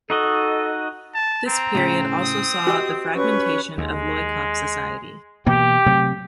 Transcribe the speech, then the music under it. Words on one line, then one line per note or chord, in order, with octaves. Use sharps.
This period also saw the fragmentation of Loikop society.
D#4 F#4 A4 D#5
A5
C4 A#5
A2 C#3
D#6
F#4 G4 D#5
C#4 B4 C#6
D#2 G#3
B2 E3 A#3 G4
C3 F#3 A3